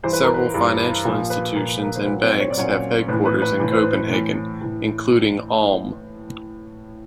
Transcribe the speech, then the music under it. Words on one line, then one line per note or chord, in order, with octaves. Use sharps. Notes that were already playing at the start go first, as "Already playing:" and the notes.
Several financial institutions and banks have headquarters in Copenhagen, including Alm.
G2 E3 C5
B4
A#4
B4
G2 E3
A#2 F3
B4
A#2 F3 A#4
A#4
C5
A#2 F#3 B4
C4 C5
C#5
D5
A#2 F#3 C#4 C#5
A2 E3 B4
B4
B4
A2 E3
C5
B4
B4
A2 E3
A2 E3